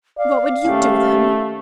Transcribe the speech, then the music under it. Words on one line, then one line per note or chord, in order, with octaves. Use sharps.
"What would you do then?"
D5 F5
D#2 A3 C#4 G4